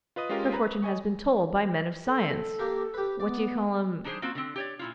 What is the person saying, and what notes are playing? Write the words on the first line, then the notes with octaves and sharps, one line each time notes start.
Her fortune has been told by men of science--what do you call 'em?
F4 B4 D#5 D#6
G#3 C#4 F4 G4 A#4
B4 A#5 B5
D#5 G#5 C#6
A4
A#3 G4 A#4
G4 B4
B3 D5
D4 D#4 G4 G#4 C5
A#3 C4 F4 F#4
D3 C4
G4 C#5 D5
A#2 E4 F4